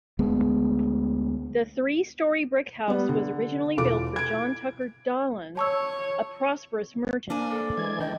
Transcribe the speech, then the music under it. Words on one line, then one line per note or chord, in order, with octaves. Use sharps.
The three-story brick house was originally built for John Tucker Daland, a prosperous merchant.
D2 G#3 B3
G3 B3
D3
E1 E3 F4 A4 D6 D7
G#6 D7
C#5 A5 C#6 E6
A#3 D4 C5 D5 G#5
A4 D5
E3 G#3 G#6
E3 D4 D#5 G5